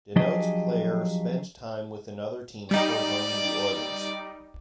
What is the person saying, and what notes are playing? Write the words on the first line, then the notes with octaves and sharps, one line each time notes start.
Denotes player spent time with another team before joining the Oilers.
F3 F#3 D4 G4 G#4 D#5
G3 D#4 D5